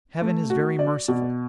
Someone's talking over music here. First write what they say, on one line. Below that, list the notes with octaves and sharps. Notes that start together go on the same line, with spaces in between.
Heaven is very merciful.
A3
F#4
D5
B2